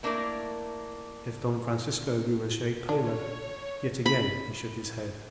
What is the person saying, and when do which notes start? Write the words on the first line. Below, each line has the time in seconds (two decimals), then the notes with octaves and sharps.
If Don Francisco grew a shade paler, yet again he shook his head.
0.03 A3 A#3 D4 E4 A#4
2.89 D4 C#5
4.06 B5